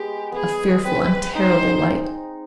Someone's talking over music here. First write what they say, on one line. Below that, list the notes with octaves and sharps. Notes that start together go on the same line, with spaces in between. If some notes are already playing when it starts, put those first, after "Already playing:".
A fearful and terrible light!
Already playing: G#3 B3 G4
B3 G#4
C4 B4
D#4 C5
D#4